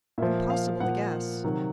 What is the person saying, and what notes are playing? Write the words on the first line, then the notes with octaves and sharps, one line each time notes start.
Impossible to guess.
A#2 F3 E5
F5
A#2 F3 F#5
C3 D#3 F#3